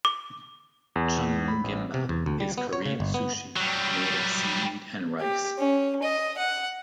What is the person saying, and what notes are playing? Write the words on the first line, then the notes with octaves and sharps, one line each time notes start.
Chungmu gimbab is Korean sushi made of seaweed and rice.
D6
E2
B5
A1
C3
E2
D2
G3
B3
C#5
C#3
G1
B3
F#3 G3
G4
C#4
D#5
F#5